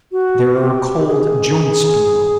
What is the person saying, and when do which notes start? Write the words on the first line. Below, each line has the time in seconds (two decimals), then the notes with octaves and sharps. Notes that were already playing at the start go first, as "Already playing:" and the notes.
There are cold joints below.
0.12 F#4
0.55 F#4
0.60 G4
0.99 G4
1.07 G#4